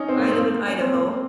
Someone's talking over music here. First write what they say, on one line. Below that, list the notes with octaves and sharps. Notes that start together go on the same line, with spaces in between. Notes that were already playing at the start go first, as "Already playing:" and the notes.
I live in Idaho,
Already playing: C#4 D#4
C4
A#3
C4
A#3
A#3
C#4
C4
A#3
C4